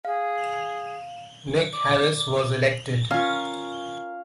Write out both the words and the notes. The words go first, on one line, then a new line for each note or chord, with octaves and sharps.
Nick Harris was elected.
G#4 F5
D5
C#4 F4 A#4 F5